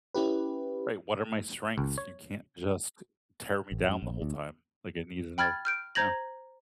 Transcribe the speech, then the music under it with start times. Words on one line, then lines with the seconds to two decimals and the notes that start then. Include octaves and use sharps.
Right, "What are my strengths? You can't just tear me down the whole time, like, I need to know" Yeah.
0.14 C#4 E4 G4 B4
1.78 C#2
1.98 C#5
3.72 A1
3.89 F#2
4.02 A#1
4.22 D2
5.38 G5 B5 F6 G#6 A6
5.65 F6 G6 D7
5.95 C5 A#5 G6 G#6 A#6 F#7